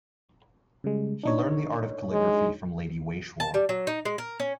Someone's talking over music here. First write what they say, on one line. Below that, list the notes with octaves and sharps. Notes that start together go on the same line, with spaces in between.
He learned the art of calligraphy from Lady Wei Shuo.
C#3 G3 G#3
D4 D#4 C#5
G#3
A5
G3
F#3
D#4
G#3
A#4
C#4